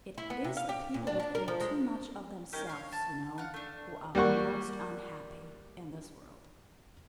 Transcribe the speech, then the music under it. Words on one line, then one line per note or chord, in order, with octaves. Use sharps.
It is the people who think too much of themselves you know, who are most unhappy in this world.
E4
B3
C3
F5
G4
A#2
D4
D4
A#4
F3
G#3
C#4 D#4 G4 A#4
C#5 F5
A5
F5 F#5
A3 D4
G3 A#3 F#5 C#6